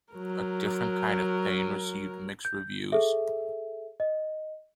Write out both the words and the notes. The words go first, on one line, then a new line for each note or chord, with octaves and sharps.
"A Different Kind of Pain" received mixed reviews.
F#3 A#4
G6
G#4 A4 E5
D#5